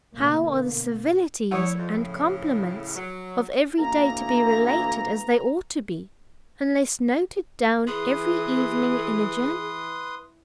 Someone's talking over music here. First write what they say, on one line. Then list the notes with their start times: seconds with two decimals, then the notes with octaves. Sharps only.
How are the civilities and compliments of every day to be related as they ought to be, unless noted down every evening in a journal?
0.15 B2 D3 A#3
1.51 F3 A3 E4 C#5 F#5
1.78 F2
1.90 A2 C#3
2.96 F#3
3.79 D2 E3 A#3 A#5
7.87 E3 G#4 B4 C6 D#6